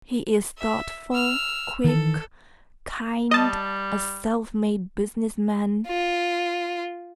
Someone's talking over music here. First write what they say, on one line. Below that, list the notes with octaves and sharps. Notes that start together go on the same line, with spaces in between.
He is thoughtful, quick, kind, a self-made business man.
E5
E6 F6
D#3 E3 A4
G3 D#5 A5
F4